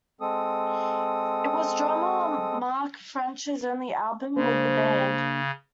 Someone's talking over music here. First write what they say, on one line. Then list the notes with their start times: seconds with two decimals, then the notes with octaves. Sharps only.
It was drummer Mark French's only album with the band.
0.21 G#3 C4 A4 D#6
4.37 C#3 A#3 D4 C5